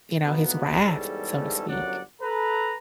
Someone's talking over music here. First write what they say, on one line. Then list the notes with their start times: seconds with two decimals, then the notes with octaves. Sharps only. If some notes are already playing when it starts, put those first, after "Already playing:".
you know, his wrath, so to speak.
0.25 D2 B2 D#3 A#3 B3
0.80 E2 G#2 G3 C#4 A4
1.69 G1 F#2 F#3 D5 F#5
2.22 A4 B4 A#5